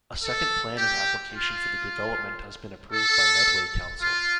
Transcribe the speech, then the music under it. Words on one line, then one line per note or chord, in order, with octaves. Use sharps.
A second planning application for the development has been approved by Medway Council.
A4
G4
F4
A4
F4